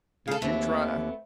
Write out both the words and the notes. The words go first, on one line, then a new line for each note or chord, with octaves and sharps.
Did you try?'
C#3 G#4 A4 F5
D#2 A3 B3 C4